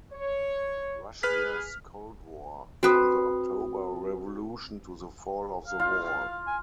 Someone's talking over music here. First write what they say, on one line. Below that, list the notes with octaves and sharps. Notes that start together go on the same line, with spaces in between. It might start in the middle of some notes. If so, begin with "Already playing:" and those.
Russia's Cold War: From the October Revolution to the Fall of the Wall.
C#5
G#4 B4 F6 B6
C4 F#4 B4 D#6
F5
F4
G#5